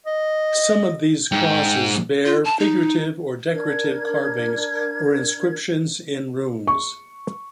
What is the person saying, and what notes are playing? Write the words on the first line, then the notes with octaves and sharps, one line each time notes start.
Some of these crosses bear figurative or decorative carvings, or inscriptions in runes.
D#5
G#2 G5
F4
A5
D#4
D4 A#4 G#6
C#6